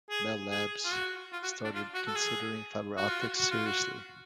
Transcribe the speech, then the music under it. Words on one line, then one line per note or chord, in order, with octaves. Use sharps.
Bell Labs started considering fiber optics seriously.
G#4
G#4
F4
F#4
F4
F#4
D4
F4
F#4
A4
G#4
F#4
F4
F#4
F#4
F4
F#4